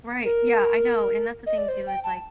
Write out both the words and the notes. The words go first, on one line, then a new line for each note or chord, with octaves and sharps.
Right, yeah, I know, and that's the thing too, is, like,
A#4
D#5
D5
C5
G5
A5